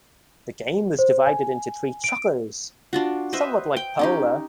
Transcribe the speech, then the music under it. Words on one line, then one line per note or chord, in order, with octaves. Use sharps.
The game was divided into three "chukkers", somewhat like polo.
C5
G#5
D7
D4 F4 F#4
B4 C5 D#5 E5
G5
C#4 D#4 G4